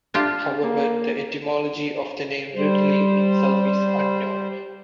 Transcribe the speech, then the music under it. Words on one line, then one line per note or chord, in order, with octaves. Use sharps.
However, the etymology of the name "ridley" itself is unknown.
D4 F4 G4
A#3
G3 C5